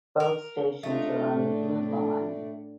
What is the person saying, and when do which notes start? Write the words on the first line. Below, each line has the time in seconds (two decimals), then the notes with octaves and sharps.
Both stations are on the Blue Line.
0.20 A#4
0.83 A3 D4 D#4 F4 A4
1.31 A2 D4 D5